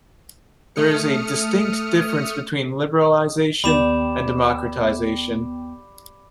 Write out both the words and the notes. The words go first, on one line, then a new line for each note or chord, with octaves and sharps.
There is a distinct difference between liberalization and democratization.
A3 D#6 F6 C#7
D#2 G3 B3 G5 B5 D6 E7